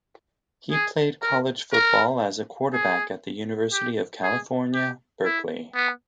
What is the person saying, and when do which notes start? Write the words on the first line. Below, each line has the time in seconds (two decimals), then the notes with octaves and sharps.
He played college football as a quarterback at the University of California, Berkeley.
0.72 G#4
1.22 A#4
1.72 A#4
2.73 G#4
3.73 G4
4.23 G#4
4.74 G4
5.24 E4
5.75 B3